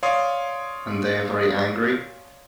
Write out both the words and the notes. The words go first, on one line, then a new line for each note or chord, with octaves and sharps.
And they are very angry?
C#5 D5 F5 C6 D#6